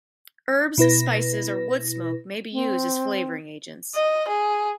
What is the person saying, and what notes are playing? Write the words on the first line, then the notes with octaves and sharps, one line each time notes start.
Herbs, spices, or wood smoke may be used as flavoring agents.
B2 E4 B4 A#6
C4
D#5
G#4